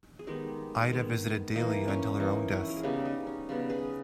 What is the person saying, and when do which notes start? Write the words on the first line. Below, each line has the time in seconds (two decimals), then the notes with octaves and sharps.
Ida visited daily until her own death.
0.19 G#4
0.27 D#3 G#3 B3 D#4 G4
0.91 D#3 G#3 B3
1.56 E3 A#3 D#4
1.88 C#4
2.20 E3 A#3 D#4
2.52 C#4 E4
2.70 A#4
2.77 G#4
2.83 C#3 G3 B3 D#4 G4
3.05 D#4
3.27 C#4
3.49 C#3 G3 B3
3.69 G#4 B4